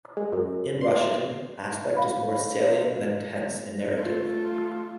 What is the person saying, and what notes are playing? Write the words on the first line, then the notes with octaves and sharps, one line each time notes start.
In Russian, aspect is more salient than tense in narrative.
G#3
F#2
C6
F5 B5
A3 F4